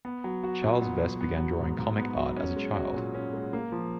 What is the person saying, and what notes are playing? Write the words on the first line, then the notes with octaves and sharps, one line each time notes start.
Charlies Vess began drawing comic art as a child.
B3
F#3
F#4
A#2
B3
F#3
B3
F#3
G#2
G#2
B3
F#3
C#4
G#3
F#4
A#2
C#4
G#3
A#3
F3